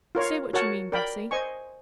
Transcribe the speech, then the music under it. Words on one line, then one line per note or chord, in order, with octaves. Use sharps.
"Say what you mean, Bessy."
F4 A#4 C#5 F5
F#4 A#4 C#5 F#5 A5
A#4 D5 G5 B5
C5 D#5 G#5 C#6